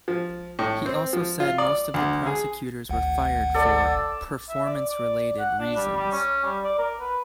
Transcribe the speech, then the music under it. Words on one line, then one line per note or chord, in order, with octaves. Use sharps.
He also said most of the prosecutors were fired for "performance-related" reasons.
F3
A2
C4
F3
F4
D5
D2
G#4
G#1 D2 F#5
A4 D5
E5
D5
D5
F#5
D4
G3
G3
C#4
G3
D5
A#4
B4